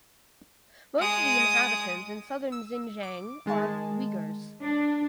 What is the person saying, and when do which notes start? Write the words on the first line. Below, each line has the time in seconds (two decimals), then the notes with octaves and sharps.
Most of the inhabitants in Southern Xinjiang are Uyghurs.
0.98 G#3 D#6
2.52 E6
3.03 D6
3.46 D#3 G#3 A5
4.62 D4